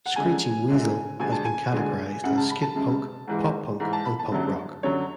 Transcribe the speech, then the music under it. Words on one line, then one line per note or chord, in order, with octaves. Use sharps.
Screeching Weasel has been categorized as skate punk, pop punk and punk rock.
F#5
F#2 D3 G#3 G#5
F#2 D3 G#3
D2 D3 G#3 G#5
A5
G#5
D2 D3 G#3
F#2 C#3 G#3 F#5
A5
B5
A5
F#2 C#3 G#3
G#2 E3 G#3
G#2 E3 G#3
A5
B5
A5
F#2 D3 F#3
F#2 D3 F#3 C#5